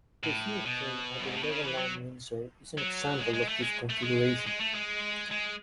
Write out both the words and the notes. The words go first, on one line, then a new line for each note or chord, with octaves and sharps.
The Hill Train at Legoland, Windsor, is an example of this configuration.
A2
B2
F#2
G#2
A2
B2
C#3
E3
F#3
F#3
G#3
G#3
A3
G#3
A3
G#3
G#3
A3
G#3
G#3